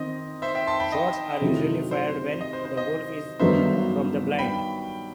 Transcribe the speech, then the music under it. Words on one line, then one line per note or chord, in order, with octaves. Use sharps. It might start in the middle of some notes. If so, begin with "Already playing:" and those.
Shots are usually fired when the wolf is from the blind.
Already playing: D#3 C4 D#5
C5 E5
E5 G5
A5 C6
G5 B5
D#5
C3 D#3 F#3 A3 E4
C5
D#5
C5
C5
D#5
G2 D#3 F#3 B3 D#4 C5 E5
G5 B5